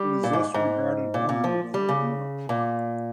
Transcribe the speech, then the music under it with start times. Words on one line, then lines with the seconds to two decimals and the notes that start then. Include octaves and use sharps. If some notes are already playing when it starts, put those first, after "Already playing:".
It is thus regarded vulnerable in Europe.
Already playing: G3
0.23 A#2
0.33 G#2
0.54 G#2
1.14 A#2
1.29 A#2
1.44 F3
1.74 G3
1.89 C#3
2.49 A#2